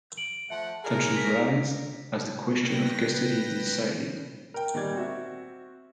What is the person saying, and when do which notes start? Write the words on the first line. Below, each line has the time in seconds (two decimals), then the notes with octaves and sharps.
Tensions rise as the question of custody is decided.
0.17 D7 F#7
0.50 F3 A3 E5 F#5 A5
0.84 G#4 A#4
1.16 A#6 B6
2.63 A#3 B4 G5 A#6
4.54 A#4 G5
4.74 A#2 D#3 G3 D5 G#6
4.95 C4 F#4 E5